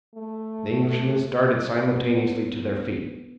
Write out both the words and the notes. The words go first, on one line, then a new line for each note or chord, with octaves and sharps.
The Englishmen started simultaneously to their feet.
A3
B3